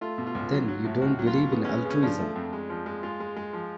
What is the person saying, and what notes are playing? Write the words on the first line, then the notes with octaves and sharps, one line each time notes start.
Then you don't believe in altruism.
A3 F4
B2
F4
C#2
F#3
F#3
A2
C#2 F#4
F#3
F4
B2
C#3 B3
G#3 C#4
B3
C#3 C#4
F3 D4
A3
F2
G#3
F3
G#3
G#3 F4
G#3
G#3
F3